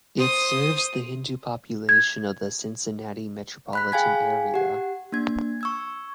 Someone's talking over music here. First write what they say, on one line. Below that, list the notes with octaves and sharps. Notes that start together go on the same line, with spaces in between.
It serves the Hindu Population of the Cincinnati Metropolitan Area.
C5 D#6
G#6
B5 F#6 B6
G#4 F5 G5 G#5 G#6 B6
G4 F#5
A#3 D4 G#6
C#6 E6 G#6